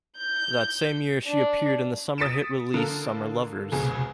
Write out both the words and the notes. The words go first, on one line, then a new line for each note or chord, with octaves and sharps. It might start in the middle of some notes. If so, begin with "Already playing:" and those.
That same year she appeared in the summer hit release "Summer Lovers".
G6
D4
D#6 A6 B6 C#7 D7 E7
D3 A#3 A4 A#4
F1 C#2 B2 G#4